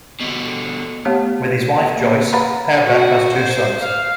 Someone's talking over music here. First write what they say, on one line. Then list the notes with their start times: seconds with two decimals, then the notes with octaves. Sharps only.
With his wife Joyce, Herbeck has two sons.
0.20 B2 D3
1.05 A3 B3 G4 C#5 F5
1.45 B4
1.98 A#3
2.33 B4 F5 F#5 A#5 B5
2.86 F#4
3.35 C5
3.81 F5